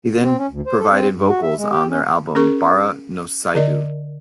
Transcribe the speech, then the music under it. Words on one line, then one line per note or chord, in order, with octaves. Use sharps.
He then provided vocals on their album "Bara no Seidou".
C4
C#4
D2
C5
A4
C4
G2
F#4
E5
G#3
G4
C#4
C#4 G#4 A#4 C#6
D3 A#4 D5 D#5